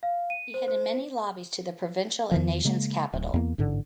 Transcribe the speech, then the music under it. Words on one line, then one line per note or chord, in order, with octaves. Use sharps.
He headed many lobbies to the provincial and nation's capital.
F5
D#7
C5
C5
E2 D#3 F3
C#3 G#3 A#3
D1
E2 A#3
A1 G#2 D3